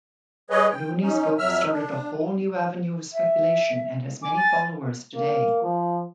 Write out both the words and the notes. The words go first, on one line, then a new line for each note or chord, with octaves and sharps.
Looney's book started a whole new avenue of speculation and has many followers today.
G3 G#4 B4 C#5 D#5
G5
C#4 D#4
F2 F#3 E5 E6 F6
D4
E5
G#5 D6
A6
A#3
F3